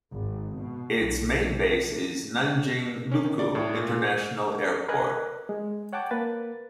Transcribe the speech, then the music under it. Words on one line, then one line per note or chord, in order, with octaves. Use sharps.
Its main base is Nanjing Lukou International Airport.
G#1
B2
B1
C#4
D#3
D5
A2
A#2
A#2
A#4 B4 D#5 G#5 A#5 F#6
G#3
C#5 F#5 G5 A5 D6
A#3 B4 A6